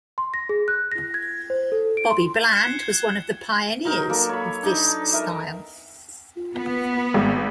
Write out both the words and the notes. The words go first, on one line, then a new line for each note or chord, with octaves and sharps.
Bobby Bland was one of the pioneers of this style.
C6
A#6
G#4
F#6
A#6
G#6
C5
A4
D7
C6
F#6 G#6 C7 C#7 E7 G7
F#3 D#4 A#4
A#3 A4 D5
C#5 B5
D4 D#4
A#4 D#5 E5 A#5
B3
G#1